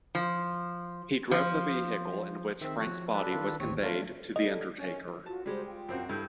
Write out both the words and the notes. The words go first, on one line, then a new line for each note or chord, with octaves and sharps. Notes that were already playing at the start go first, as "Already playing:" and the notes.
He drove the vehicle in which Frank's body was conveyed to the undertaker.
F3
F3
D#3 C4 E5
F3 F#4 C#5 F#5
D4 A4 B4
D#3 F4
A1 D#2 C4 C#5
F#3 A3 D4 F4
F#3 G3 A4 D#5
F#2 C#4
F4 F#4 A5
G3 G#3 F#4 C5
F4 G5
F#2 C4 F#4
G2 E4 A4 G6